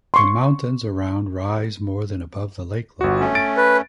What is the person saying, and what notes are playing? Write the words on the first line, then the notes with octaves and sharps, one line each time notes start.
The mountains around rise more than above the lake level.
C6 C#6
G1 F#4
A3 C#4
A6 D7
B4